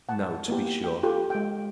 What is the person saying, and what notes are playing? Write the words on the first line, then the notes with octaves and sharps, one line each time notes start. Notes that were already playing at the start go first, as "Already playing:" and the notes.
No, to be sure!
F#5 A5
A#3 B3 E4 G4
G5
F4 G4 A4
G#3 G5